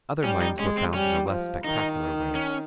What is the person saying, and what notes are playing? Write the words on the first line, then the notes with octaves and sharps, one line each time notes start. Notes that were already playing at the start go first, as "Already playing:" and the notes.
Other mines were found in a less spectacular way.
G3 C#4
D#4
G#3 C#4
C4
G3 C#4
F3
D#3 D#4
C#4